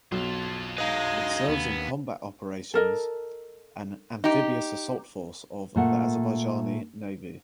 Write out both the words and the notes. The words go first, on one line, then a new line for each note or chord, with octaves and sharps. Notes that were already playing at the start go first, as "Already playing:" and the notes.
It serves in combat operations an amphibious assault force of the Azerbaijani Navy.
B1 F4 A4
G#3 D#4 B4 D#5 F5
D#2 B3
A4 A#4 D#5
D#4 G4
A#2 A3 F#5